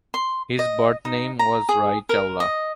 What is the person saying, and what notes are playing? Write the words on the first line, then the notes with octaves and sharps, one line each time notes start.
His birth name was Rai Chawla.
C6
D#5
D#4
A#5
G#4
A#4
D#5